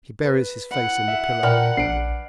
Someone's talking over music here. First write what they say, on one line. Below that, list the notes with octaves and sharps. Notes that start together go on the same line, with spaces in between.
He buries his face in the pillow.
B4
E4 F#5
E5
A#2 D4 A#4 B4 G5 F6
A#1 C7 D7